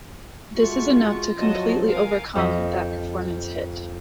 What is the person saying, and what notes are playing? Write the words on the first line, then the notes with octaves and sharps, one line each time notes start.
This is enough to completely overcome that performance hit.
G#3 A3 F4 F#4 C#6
F3 F#3 F#4 D#5 A5
A#4 F5 G#5
F2 C5 D#5 B6